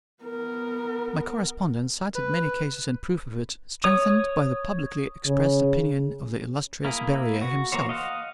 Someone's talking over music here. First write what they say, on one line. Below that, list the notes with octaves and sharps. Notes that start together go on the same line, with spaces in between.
My correspondent cited many cases in proof of it, strengthened by the publicly-expressed opinion of the illustrious Berryer himself.
B3 A#4
B4
C#5 D#6
C#3
A#3 E4 G#4
F#4
E3 A#3 F#4 C5 C#5
D#5 F5 F#5